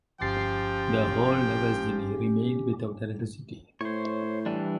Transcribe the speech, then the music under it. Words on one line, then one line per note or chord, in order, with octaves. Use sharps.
The whole Nevesinje remained without electricity.
G1 F3 C#4 G4 G5 A6 C7
A2 C5 C#5
E3 G3 D4